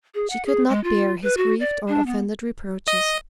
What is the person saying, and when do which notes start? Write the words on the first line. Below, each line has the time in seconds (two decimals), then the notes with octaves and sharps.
She could not bear his grieved or offended reproaches.
0.14 G#4
0.30 F#5
0.46 G#4
0.69 G#3
0.84 F4
1.23 B4
1.37 F#4
1.60 D5
1.88 D4
2.06 B3
2.88 D#5